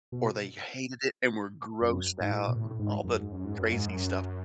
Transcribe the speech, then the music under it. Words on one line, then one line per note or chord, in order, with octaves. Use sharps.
or they hated it, and were grossed out, and all the crazy stuff
B2
F#2
G#2
A2
B2
A2
G#2
F#2
G#2
F#2
G#2
F#2
G#2
F#2